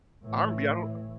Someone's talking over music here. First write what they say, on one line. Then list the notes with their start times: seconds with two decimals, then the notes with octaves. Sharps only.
RnB, I don't
0.24 A2 E3